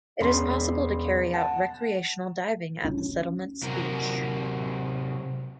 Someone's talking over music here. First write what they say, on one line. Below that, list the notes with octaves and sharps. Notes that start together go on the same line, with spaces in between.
It is possible to carry out recreational diving at the settlement's beach.
E1 C#4 B5 C6
F#5 A5
C#4
C3 F#3 A#4